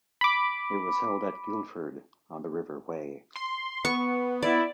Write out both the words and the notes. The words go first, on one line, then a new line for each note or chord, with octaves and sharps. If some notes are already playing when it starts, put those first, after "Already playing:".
It was held at Guildford on the River Wey.
B5 D6
C6
B3 C#6
E4 D5